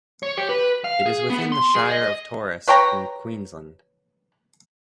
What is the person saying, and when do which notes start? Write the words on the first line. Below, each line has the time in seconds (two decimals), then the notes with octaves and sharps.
It is within the Shire of Torres in Queensland.
0.23 C#5
0.37 G4
0.49 B4
0.84 F5
1.06 G#4
1.30 B3
1.52 C6
1.75 G#4
1.90 D#5
2.68 B4 C#5 G5 A#5